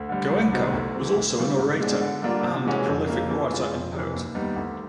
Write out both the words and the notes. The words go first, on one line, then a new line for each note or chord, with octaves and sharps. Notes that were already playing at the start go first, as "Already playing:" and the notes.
Goenka was also an orator, and a prolific writer and poet.
Already playing: D2
D3 G3
C2
C3 D#3 F#3 B3
D2
C3 E3
D2
C#3 E3 G3
G#2
E3 G#3 B3 D4
D3
G3 A#3 D4 F4
C3
E3 G#3 C#4 F#4
F2
C#3 F3 A#3
E3
G#3 C#4 F4
F2
C3 E3
D#2
D#3 G3 B3
D2